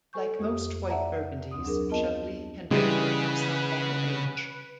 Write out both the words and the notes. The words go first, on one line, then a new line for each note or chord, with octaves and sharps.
Like most white Burgundies, Chablis can benefit from some bottle age.
A4 C5 G#5 C#6 G6
F2 A#3 G4 D#6
D5 E5 F#5 A5 A#5
D2 C4 D#6
F#3 D4 G#4 A#4
B3 C4 F4 A#4 D#5 A5
C#3 E3 G3 G#3 B3 C#4 B4